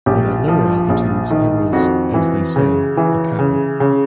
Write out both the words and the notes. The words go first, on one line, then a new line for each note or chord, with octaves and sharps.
But at lower altitudes it was, as they say, 'a cow'.
A#1 G4
F3
A#1
D#3
F2 F#4
E3
C#3
E3
C#3
C#3